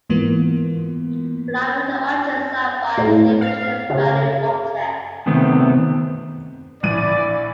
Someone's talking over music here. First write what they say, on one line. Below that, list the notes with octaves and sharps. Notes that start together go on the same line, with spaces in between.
Flyweight objects are by definition value objects.
G#2 E3 A#3 B3 F4
A2
F5
C#3
C3 D#3 A3 B3 C4
A#1 E3 D5 D#7